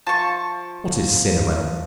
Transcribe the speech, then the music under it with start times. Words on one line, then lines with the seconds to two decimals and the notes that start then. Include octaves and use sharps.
What is Cinnamon?
0.07 F3 A5 C#6